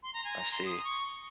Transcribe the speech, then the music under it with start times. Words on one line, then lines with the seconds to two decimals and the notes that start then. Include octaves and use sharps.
I see.
0.03 C6
0.14 A#5
0.24 G#5
0.38 A#5
0.52 C6
0.66 D#6
0.84 C#6